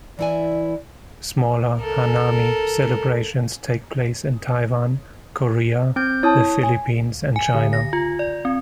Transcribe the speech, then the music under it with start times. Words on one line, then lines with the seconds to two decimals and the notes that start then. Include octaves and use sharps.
Smaller "hanami" celebrations take place in Taiwan, Korea, the Philippines, and China.
0.19 E3 E4 D5 G#5
1.77 A4 A#4
5.96 C4 G6
6.23 E4 C#5 A5 D#6
6.63 G#5
7.36 G#5
7.55 D3
7.73 A#6
7.93 F4
8.19 D5
8.45 C4